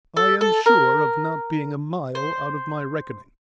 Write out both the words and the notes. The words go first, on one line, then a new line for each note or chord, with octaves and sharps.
"I am sure of not being a mile out of my reckoning."
A4
A4
A#4
C5